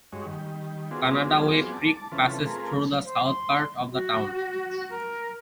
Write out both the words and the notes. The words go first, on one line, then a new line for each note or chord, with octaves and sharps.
Canadaway Creek passes through the south part of the town.
G2 G#3 D#4 F#4 C#5
D#3 G3
B3 C4 F4 F#4 G#4 D5
A5 D6
C3 E3 C#4 F4 A4 B4
A3 C4 F4 G#4 A#4 B4
C5
C6
F#4
A#4